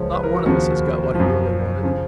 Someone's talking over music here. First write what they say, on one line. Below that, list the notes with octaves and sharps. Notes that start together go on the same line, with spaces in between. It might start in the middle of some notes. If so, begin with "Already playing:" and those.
Not one of us has got what he really wanted.
Already playing: C#2 C#3 F3 C#5
B4
A#4
F#4
D#2 C#3 F3 F#4
F#2 F3
C#3 F3 G#4